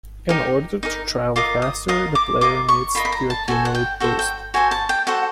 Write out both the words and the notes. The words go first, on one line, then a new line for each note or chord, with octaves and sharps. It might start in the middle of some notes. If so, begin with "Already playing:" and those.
In order to travel faster, the player needs to accumulate Boost.
D#4 G4 A#4
D#4 G4 A#4
F4 A#4 D#5 D6
D#6
F4 A#4 D#5 D#6
D6
F4 A#4 D#5 D6
C#6
F4 A#4 D#5 B5
B5
A#5
A5
F#4 A4 C5 G#5
F#5
G5
F#4 A4 C5 G5
G5
F#4 A4 C5 G#5
A5
G5
F#4 A4 C5 F#5